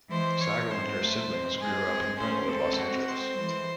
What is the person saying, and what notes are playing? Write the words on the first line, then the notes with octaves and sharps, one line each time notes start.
Sagal and her siblings grew up in Brentwood, Los Angeles.
E3 G#3 C5
C#5
G#3 C4 C5
F#3 A3
G#3 C4
G#3 C4 G#4
G#3 C4
A3 C#4 C5
G#3 C4 A4
F#4
C5
E3 G#3